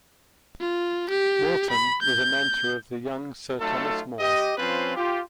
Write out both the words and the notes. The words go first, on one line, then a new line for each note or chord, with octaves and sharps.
Morton was a mentor of the young Sir Thomas More.
F4
G4
B5
G6
F#3 A3 D#4 F4 A4
G4 D#5
F3 C4 C#4 F4 B4 C5
F4 G4